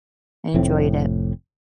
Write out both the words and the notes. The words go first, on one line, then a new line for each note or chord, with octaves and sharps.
I enjoyed it.
F1 A2 C4